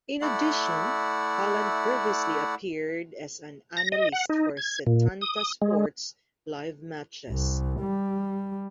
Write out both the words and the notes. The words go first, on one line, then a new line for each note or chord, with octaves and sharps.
In addition Holland previously appeared as an analyst for Setanta Sports' live matches.
A3 E4 D5 F#5
A#6
D#5
F#5
D#4
G#6
A#2
D#6
G#3
C2
G3